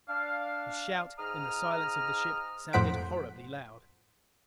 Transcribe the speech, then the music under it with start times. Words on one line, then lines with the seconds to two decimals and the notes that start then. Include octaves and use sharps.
His shout in the silence of the ship sounded horribly loud.
0.09 D4 F5
1.19 G#2 A#5 D#6 F6
2.73 F2 A2 C5 F#5 B6 D7